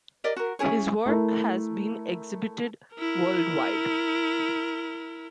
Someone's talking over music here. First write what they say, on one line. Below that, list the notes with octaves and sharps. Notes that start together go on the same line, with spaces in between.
His work has been exhibited worldwide.
G4 A#4 D5 D#5
F#4 A#4
C#4 E4 G#4 C#5
A3 E4 A#4
E4 A#4